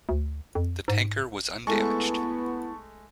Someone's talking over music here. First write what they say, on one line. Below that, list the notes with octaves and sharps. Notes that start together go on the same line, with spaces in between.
The tanker was undamaged.
D2
F2
G#2
G#3 A3 B3 E4 A4 A5 C#6